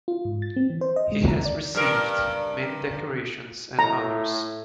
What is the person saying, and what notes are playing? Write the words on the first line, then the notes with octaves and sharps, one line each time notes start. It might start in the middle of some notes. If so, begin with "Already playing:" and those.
He has received many decorations and honours.
F4
G#2
A6
C4
E3
C5
D#5
G#3
A#5
D5
G2 A#4
A2 A#5